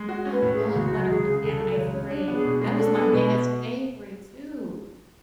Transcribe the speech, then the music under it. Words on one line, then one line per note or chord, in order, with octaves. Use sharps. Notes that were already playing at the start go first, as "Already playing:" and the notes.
I love butter pecan ice cream. That was my dad's favorite too.
Already playing: G#3
F#4 F#5
C#4
B4
A2
G#4
G#3
C#2 F#4
F#3
C#2 G#4
C#3
C#2 A4
F#3
D5
C#2 C#5
C#3
D4
B3
G#4
B2
G#3
D4 A4
B3
B2 B4